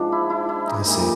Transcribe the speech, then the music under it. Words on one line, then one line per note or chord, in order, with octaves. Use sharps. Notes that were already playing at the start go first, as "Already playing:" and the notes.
I see.
Already playing: G#2 F3 G#3 D4
E4
E4
E4
D#4
A#2 G3 D#4